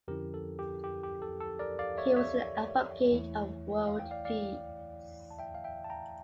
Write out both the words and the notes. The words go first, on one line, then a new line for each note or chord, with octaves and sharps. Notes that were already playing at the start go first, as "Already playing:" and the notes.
He was an advocate of world peace.
F2 D3 F3 C#4 E4 G4 A#4
A4
G4
G4
G4
A4
A4
A#4 D5
D5 F5
C#5 E5
C#5 E5
E2 E3 A3 E4
F5
G5
D5 F5
D5 F5
A5
E5 G5
F5
E5 G5
A5
G5 A#5